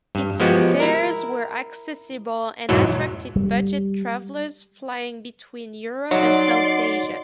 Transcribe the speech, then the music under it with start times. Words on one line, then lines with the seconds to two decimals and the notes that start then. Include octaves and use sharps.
Its fares were accessible and attracted budget travellers flying between Europe and South Asia.
0.15 G2
0.40 F3 G#3 B3 F#4 G4
0.80 E4 A#4
2.69 E2 G#2 B2 E3 F#3
3.36 G3
6.11 F#3 D#4 D5 D#5 F#5 C6